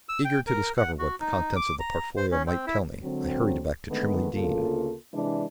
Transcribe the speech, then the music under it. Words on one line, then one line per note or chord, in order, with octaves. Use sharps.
Eager to discover what the contents of the portfolio might tell me, I hurried back to Trimley Deen.
E6
G5
A#4
F#5
F#4
D#4
D6
A#5
C5
C#4
C4
E4
D3 F#3 G#3 C4
D3 D#3 G#3 A3 B3
D2 C#3 A#3 F4 A4
C3 E3 G#3 D4